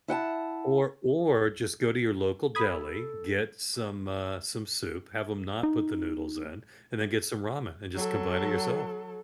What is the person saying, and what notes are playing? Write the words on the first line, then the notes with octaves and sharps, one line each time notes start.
Or or just go to your local deli, get some, uh some soup, have ‘em not put the noodles in, and then get some ramen, and just combine it yourself.
E4 F#5 G5 A5
A4 B5 D#6 G#6
D#4
F#3 A4